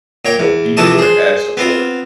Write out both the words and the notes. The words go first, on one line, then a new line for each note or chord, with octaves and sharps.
but be there as support.
A#2 C#5 G5
E2
F2 C3 E3 A3 A5 D#6
G#4 C5
B3 C4 F4